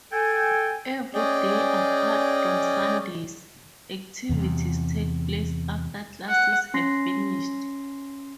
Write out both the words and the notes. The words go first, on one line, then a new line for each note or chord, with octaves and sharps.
Every day, apart from Sundays, activities take place after classes have finished.
A4 G5 G#5
C#4 G#4 D5 D#5 G5
E2 C3
F#5
C#4 C6 A#6 C7